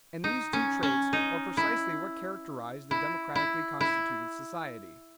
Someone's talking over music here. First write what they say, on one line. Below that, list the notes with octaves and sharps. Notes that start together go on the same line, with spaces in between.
And these two traits are precisely what characterize the democratically constituted society.
D#4
C#4
C#4
D#4
E4
E4
E4
E4